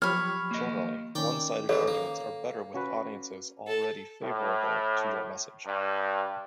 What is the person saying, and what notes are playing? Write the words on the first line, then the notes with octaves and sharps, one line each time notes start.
Generally, one-sided arguments are better with audiences already favorable to your message.
F3 F#3 G4 C#5 B5 F6
A#3 D#5
D#3 C#4 D5 G5
G#2 E3 A4 C#5
A#3
C#4 F#4 B4
A4
A2
G2